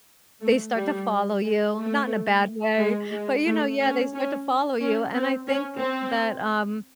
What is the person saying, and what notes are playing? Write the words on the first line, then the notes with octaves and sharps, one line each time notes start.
they start to follow you, not in a bad way, but, you know, yeah, they start to follow you, and I think that, um,
A3
G3
G#3
A3
G#3
G#3
A3
C#4
C#4
C#4
C4
C#4
C4